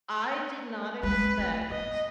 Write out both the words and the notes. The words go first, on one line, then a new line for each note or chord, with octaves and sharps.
I did not expect
G#3 C4 B4
A3
B3 D#5